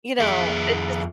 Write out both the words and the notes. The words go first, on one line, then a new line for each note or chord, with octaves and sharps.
you know? It's just
F2 G#4 E5